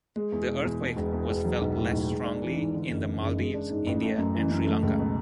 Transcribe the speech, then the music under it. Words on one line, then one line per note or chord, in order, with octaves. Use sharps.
The earthquake was felt less strongly in the Maldives, India, and Sri Lanka.
G#3
E2
B2
E2
B2
E1
E2
E1
F#3
B1
A2
B1
G#3
D4
E3
G#2
D3
F#1
E2
F#1
G#3
D4
G#2
A1
A3
F#2
E3
F#2
A3
C#2
B2